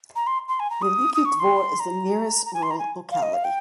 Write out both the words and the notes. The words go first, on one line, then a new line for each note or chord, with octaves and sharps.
Veliky Dvor is the nearest rural locality.
A#5
C6
C6
G#5
A#5
D#6
D#6
C#6
C#6
C6
A#5
A#5
G#5
C6
A#5
G#5
F5
D#5
F5
G5